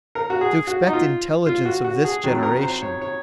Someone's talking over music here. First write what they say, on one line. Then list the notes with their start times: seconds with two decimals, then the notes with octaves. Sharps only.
"To expect intelligence of this generation!"
0.15 A#4
0.30 F#4
0.41 G#4
0.67 F#4
0.87 D#4
0.93 F4
1.46 F4
1.65 F#4
1.85 F#4
2.05 G#4
2.24 F2 D#3 F#3
2.43 A#4
2.63 C5
2.82 C#5
3.02 C#5